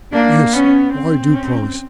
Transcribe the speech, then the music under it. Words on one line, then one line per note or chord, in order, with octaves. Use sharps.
Yes, I do promise.
A#3 D4
B3 C#4
C4
C#4